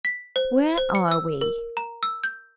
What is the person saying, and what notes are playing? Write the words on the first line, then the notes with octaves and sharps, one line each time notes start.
'Where are we?
B6
C5
C5
C#7
E6
A#4
A#5
E6
G6